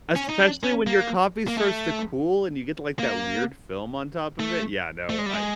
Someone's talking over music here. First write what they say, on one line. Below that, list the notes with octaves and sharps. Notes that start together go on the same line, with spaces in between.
Especially when your coffee starts to cool, and you get, like, that weird film on top of it, yeah, no, I
C#4
D#4
D4
C#4
A#3
A#3
A3
A#3
A3
A3
G#3
G3
G#3